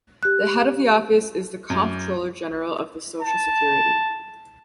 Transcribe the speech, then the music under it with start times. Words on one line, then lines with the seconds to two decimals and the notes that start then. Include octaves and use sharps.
The head of the Office is the Comptroller General of the Social Security.
0.23 G4 F#6
1.70 F#2
3.22 A5